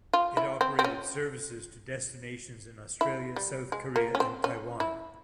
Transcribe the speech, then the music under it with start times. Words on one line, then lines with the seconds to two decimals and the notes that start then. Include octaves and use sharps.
It operated services to destinations in Australia, South Korea and Taiwan.
0.13 F4
0.37 E4
0.61 C4
0.79 C4
0.84 C#4
3.01 E4
3.36 G3
3.72 G#3
3.96 A#3
4.15 C#4
4.20 C4
4.44 C#4
4.80 E4